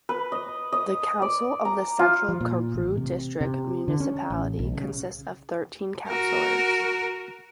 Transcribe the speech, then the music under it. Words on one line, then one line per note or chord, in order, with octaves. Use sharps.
The council of the Central Karoo District Municipality consists of thirteen councillors.
B4
D#5
D#5
D5
A#5
F4
F3
A#2
A1
C3
C3
D3
C#4
A1
B1
C#3
F#4 A#4